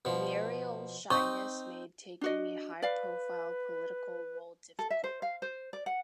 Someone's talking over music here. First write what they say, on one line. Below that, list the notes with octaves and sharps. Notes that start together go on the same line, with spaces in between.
Muriel's shyness made taking a high-profile political role difficult.
B2 F3
C4 D#4 D#5 C#6
D4 F#4 D#5
B4 D5 F5
A4
E5
C5
F5
C5
D5
F#5